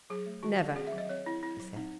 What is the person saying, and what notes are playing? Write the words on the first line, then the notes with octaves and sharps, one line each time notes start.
"Never!" he said.
F#3 G#4
A3
D#3 F#4
D#3
C4 G#4
E5
F#3
D#5
C4 C#5
C4 E4
C4 E4
F#3
C4 D#4